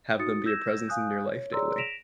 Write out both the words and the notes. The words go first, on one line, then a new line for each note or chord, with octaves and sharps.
have them be a presence in your life daily.
D#4 F#4 D#6 A6 C#7
E6 G6 G#6 A#6 E7
F5 G#5 D#6 F#6 G6
C#5
G#4 C#5 D5 A#5 C6 E6
A#6 B6 D7 E7 F7